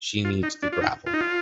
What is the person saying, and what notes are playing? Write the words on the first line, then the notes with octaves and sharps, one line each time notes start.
She needs the gravel.
F4
D#4
D4
F4
D#4
F4
D#4
F4